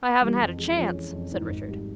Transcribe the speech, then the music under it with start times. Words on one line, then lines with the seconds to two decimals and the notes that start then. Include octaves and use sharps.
"I haven't had a chance," said Richard.
0.22 E3 G3
0.40 F2
0.58 G#3
0.76 F3 C#4
0.95 E3
1.13 F2
1.31 G#2 E3
1.49 G#1
1.68 G3